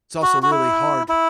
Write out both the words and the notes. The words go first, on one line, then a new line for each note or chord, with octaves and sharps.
It's also really hard.
F#4
F#4
E4
E4